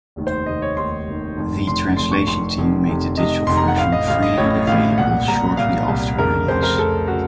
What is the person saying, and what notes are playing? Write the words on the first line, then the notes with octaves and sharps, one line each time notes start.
The translation team made the digital version freely available shortly after release.
F1 D#2 D#3
C5
F1 D#2 D#3 D#5
C#5
F1 D#2 D#3 C6
F1 D#2 D#3
F1 F2 D#3
F1 F2 D#3 C6
F1 F2 D#3 C6
C#6
F1 F2 D#3 C6
F1 F2 C3 D#3
F1 F2 C3 D#3
F1 F2 C3 D#3 D#5
F1 F2 C3 D#3 C6
A#5
F#5
A1 A2 F5
D#5
A1 A2 F5
D#5
A1 A2 C#5
A1 A2 F5
C2 A#2 F#5
C2 A#2 A#5
C2 A#2 F5
C2 A#2
F1 F2 C#3 A#4
F1 F2 C#3 C5
A#4
F1 F2 C#3 A4
C#3 F#4